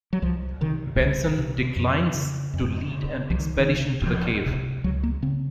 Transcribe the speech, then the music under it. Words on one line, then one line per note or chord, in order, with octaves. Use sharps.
Benson declines to lead an expedition to the cave.
F#3
C2 F3
C3 D#3
C2
C3
F2
C#3
F2
C#3
C2 F3
D#3
D#3
C3
C2 F3
C3
C#2 F#3
A#3
C#3 C4